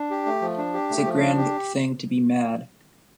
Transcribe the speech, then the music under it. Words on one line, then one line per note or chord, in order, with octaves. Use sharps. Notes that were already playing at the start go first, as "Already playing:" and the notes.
It’s a grand thing to be mad!
Already playing: D4
G4
A3
F3
D4
G4
A3
F3
D4
G4